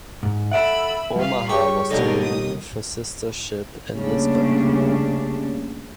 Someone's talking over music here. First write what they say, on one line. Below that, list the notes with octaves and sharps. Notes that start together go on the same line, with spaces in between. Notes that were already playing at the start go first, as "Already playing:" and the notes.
"Omaha" was to relieve her sister ship in Lisbon.
G#2
A4 E5 F#5 B5 E6 D7 E7
G3 F4 B4 F5
G4 G#4 C#5 C#6
D#2 B2 D3 D#4 A4 A#4 D5
D#6
C#3 G3 A3 A#3 C#4 D4